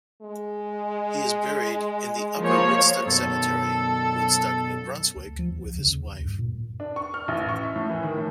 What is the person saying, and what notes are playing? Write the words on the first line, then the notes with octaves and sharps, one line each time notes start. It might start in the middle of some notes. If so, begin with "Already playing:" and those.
He is buried in the Upper Woodstock Cemetery, Woodstock, New Brunswick with his wife.
G#3
F3 A#3 C#5
F#2 B2 A4
D2
F3
E2
C#2
C#3
D#2
D2
G2
A#2
D4
C#6
F6
A1
C#6
E5
A2
E3
D#3
A2